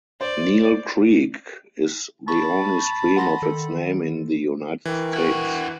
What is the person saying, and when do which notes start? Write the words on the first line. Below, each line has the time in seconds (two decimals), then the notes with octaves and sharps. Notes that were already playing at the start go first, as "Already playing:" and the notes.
Neill Creek is the only stream of its name in the United States.
0.21 C5 D5
2.28 A5 B5 C#6
3.16 F#5 C6 A#6
3.42 D#3 A4
4.85 E3 A#4 G5 C#6
5.13 E4 F#4